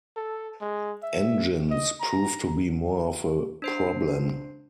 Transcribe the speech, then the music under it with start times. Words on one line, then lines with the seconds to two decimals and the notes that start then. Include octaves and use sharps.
Engines proved to be more of a problem.
0.17 A4
0.61 G#3
1.03 E5
1.70 D#5
2.01 A#5
3.62 D4 C5 C7